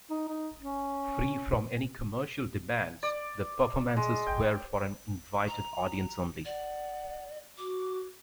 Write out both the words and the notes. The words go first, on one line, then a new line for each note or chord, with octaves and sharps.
Free from any commercial demands, their performances were for an invited audience only.
D#4
D#4
C#4
D5
G#3
G5
A#5
D5 F#5
F#4 D6